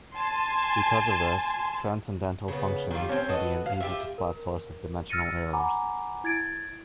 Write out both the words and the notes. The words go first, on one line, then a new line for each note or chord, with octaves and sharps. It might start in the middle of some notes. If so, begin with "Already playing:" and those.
Because of this, transcendental functions can be an easy-to-spot source of dimensional errors.
G#5 A5 C6
C#3 B3
D#3 G3 F4
C4 C#4
F#4 A4 B4 D#5
F5
F4 G4 E5
A#4
E6 F6 A6 A#6 C#7 D#7
F#5 G#5 A#5 B5 D6
E4 G#6 A6 D7